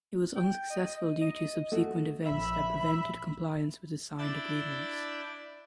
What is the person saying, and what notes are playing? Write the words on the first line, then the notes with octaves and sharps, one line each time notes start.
It was unsuccessful due to subsequent events that prevented compliance with the signed agreements.
G5
D#5
D#5
A3 F#4
A#1 E5 B5
D4 E4 D5 E6 G6 A6